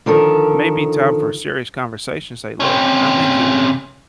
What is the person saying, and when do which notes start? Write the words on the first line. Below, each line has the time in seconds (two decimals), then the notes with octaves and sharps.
maybe time for a serious conversation to say, "Look, I think you're
0.06 D3 D#3 F3 A4 A#4
2.60 C3 C#4